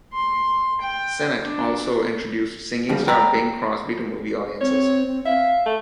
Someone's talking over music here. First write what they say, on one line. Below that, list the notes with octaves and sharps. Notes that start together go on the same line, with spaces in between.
Sennett also introduced singing star Bing Crosby to movie audiences.
C6
G5
D4
C#3 F3 G3 A#3
G5 A#5 B5
C4 C#5
C4
E5 F5
A3